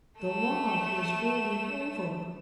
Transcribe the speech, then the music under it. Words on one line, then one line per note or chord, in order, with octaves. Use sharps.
The log was rolling over!
A3 E7